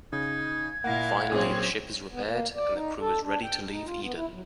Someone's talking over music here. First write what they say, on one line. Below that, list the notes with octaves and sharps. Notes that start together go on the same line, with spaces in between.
Finally the ship is repaired and the crew is ready to leave Eden.
C#3 D#4 G#6
A#2 A#3 E4 F5 F#5 A#6
A#2 F#3 C4 C#4 G#4
B3
A#3
D5
D#4
A4
D4
G5
D#4
F4
B3
E4
F#3